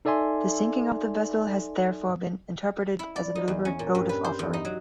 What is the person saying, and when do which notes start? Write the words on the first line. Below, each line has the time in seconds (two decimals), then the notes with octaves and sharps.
The sinking of the vessel has therefore been interpreted as a deliberate votive offering.
0.05 D#4 A4 D5 E5 G#5 C6
2.99 E4
3.16 D5
3.35 D#4
3.48 E2
3.65 C#4
3.79 A#2
3.95 G2
4.09 B4
4.24 C5
4.39 E2
4.53 D#4
4.65 F#3